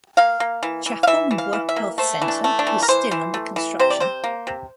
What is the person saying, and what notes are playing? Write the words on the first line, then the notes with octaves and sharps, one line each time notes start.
Chafumbwa health centre is still under construction.
A#3 F5
A#3
E3
E3
F5
E3 E5
E3
F5
E3
E5
A#3
A3 C5
E3
D4
A3
D4
E3
A#4
E3 C5
E3
A3
E3
C3 C5
D5
C3 C5
A#3
C3